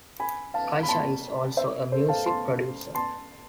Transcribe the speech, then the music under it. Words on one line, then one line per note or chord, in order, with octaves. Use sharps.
Kaysha is also a music producer.
G#5 B5
F5 A5
B5
A5 C6
C5 E5
A4 C5
F5 A5
A5 C6
A5 C6